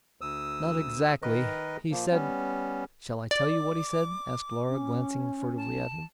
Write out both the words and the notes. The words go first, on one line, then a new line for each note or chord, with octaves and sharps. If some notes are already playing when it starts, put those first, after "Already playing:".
"Not exactly, he said--shall I tell you what he said?" asked Laura glancing furtively at him.
D2 D#6 E6
D#3 A#4 B4 D#5
A#2 F3 A#3
G3 B3 C#4
D5 D6
C#4
A5